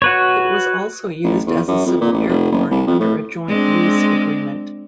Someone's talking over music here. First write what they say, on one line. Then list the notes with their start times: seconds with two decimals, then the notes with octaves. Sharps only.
It was also used as a civil airport under a joint-use agreement.
0.02 F#4 B4 C#5
1.24 A1
1.47 E2
1.68 F#2
1.86 F2
2.01 A#2
2.13 A1
2.29 F1
2.51 F#1
2.71 C2
2.87 F2
3.00 A2
3.48 G#3 C4 D4